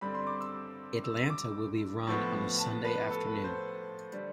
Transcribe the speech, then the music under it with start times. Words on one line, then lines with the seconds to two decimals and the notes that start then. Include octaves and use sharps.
Atlanta will be run on a Sunday afternoon.
0.01 G2 D3 G3 C4 B5
0.14 C6
0.27 D6
0.40 E6
1.04 E6
1.30 D6
2.07 A2 F3 B3
2.59 A5
2.84 B4
3.10 A4
3.27 B4
3.44 C5
4.13 D3 G3